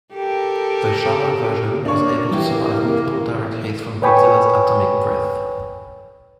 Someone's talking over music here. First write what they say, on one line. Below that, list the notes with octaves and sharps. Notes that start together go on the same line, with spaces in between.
The Showa version was able to survive multiple direct hits from Godzilla's atomic breath.
G4 A4 A#4
A#3 D4 C#5
E3 G4
B4 C#5 G5 G#5 B5 C#6